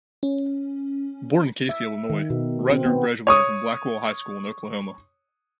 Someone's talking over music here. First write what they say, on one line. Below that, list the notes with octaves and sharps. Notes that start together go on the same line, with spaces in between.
Born in Casey, Illinois, Ratner graduated from Blackwell High School in Oklahoma.
C#4
E5
D#3
B2
C4
B3
C#5 C#6 D#6